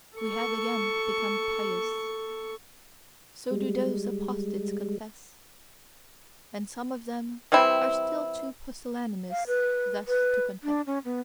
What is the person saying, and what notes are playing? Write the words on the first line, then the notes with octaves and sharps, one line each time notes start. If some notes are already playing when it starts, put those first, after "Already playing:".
"We have again become pious"--so do those apostates confess; and some of them are still too pusillanimous thus to confess.
A4 C#6
G3 G#3
E3 G3 C4 E4
F5
B4
B4
D4
C#4
B3